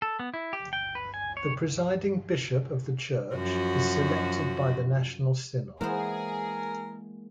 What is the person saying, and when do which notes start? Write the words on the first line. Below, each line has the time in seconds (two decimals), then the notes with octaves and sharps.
The presiding bishop of the church is selected by the national synod.
0.02 A4
0.19 B3
0.34 E4
0.53 G4
0.73 G5
0.95 B4
1.14 G#5
1.37 C#5
3.35 F#2 F3 F#4
5.81 E3 G#3 A#3 B3 G#4 A#4 C5